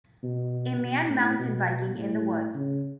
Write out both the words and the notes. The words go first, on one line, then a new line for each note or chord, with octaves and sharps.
A man mountain biking in the woods.
B2
B2
A2
B2
A2
C#3